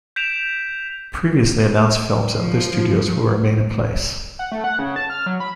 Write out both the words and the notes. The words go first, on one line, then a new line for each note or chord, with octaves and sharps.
Previously announced films at other studios will remain in place.
G6 B6 D7 E7 F7
F3
F#5
A3
F#5
C#3
A5
F6
F#3
B5